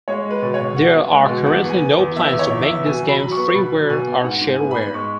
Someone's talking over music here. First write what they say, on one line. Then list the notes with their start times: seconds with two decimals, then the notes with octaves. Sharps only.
There are currently no plans to make this game freeware or shareware.
0.08 G#3 C#5
0.25 G#3
0.31 B4
0.42 B2
0.54 C#5
0.60 B2
0.76 B2 F#5
0.95 B3
1.12 G#3
1.29 B2
1.46 E2 F#5
1.64 B3
1.70 G#5
1.81 B3
1.99 E2
2.16 B3 E5
2.33 E2
2.39 C#5
2.51 E2
2.62 E5
2.68 B3
2.86 B2 G#5
3.03 F#3
3.08 B5
3.20 F#3
3.32 C#6
3.37 B3
3.55 B2 B5
3.73 F#3
3.89 B2 G#5
4.07 B3
4.24 G#2 F#5
4.41 G#2
4.48 G#5
4.60 B3
4.71 G#2 B5
4.94 G#3 C#6